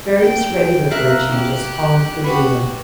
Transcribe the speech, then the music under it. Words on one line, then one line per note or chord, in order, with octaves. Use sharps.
Various regulatory changes followed the ruling.
G5
A#4 E5 F5 F#6
G4 F#6
F#4 G4 B4